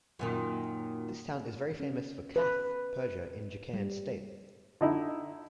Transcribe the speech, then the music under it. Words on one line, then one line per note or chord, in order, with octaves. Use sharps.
This town is very famous for "Chath" puja in jharkhand state.
F#2 A#2 D#3
C#4
B4
G3
D3 D#4 E4